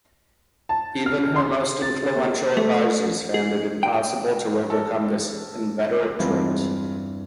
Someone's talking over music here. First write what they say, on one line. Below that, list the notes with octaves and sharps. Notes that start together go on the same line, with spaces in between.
Even her most influential advisers found it impossible to overcome this inveterate trait.
A5
F6
C6
A6
A#3
A3
G#4
G5
A4 A#4 C#5
E2 G2 E3 G#3 C4 F4